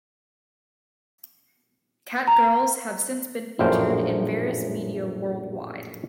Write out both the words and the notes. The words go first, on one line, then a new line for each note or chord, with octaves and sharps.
Cat-girls have since been featured in various media worldwide.
A#5
A#1 F#2 A2 C5 F5 G5